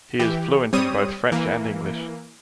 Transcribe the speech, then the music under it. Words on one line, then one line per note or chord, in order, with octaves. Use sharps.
He is fluent in both French and English.
E3 G4
G3 C4 C#5 D#6 D#7
E3 A#3